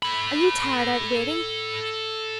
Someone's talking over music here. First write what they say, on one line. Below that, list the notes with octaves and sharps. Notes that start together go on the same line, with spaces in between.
Are you tired out waiting?
A4 B5